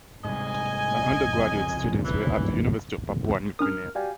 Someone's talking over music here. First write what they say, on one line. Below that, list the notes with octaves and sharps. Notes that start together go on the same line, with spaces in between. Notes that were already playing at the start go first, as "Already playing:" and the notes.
Her undergraduate studies were at the University of Papua New Guinea.
G#2 C3 G3 D#5 G#5
C2 F2 C#3
E3 E4
C#4 D4 A#4 D#6 F6
G3 F#4 F5 G#5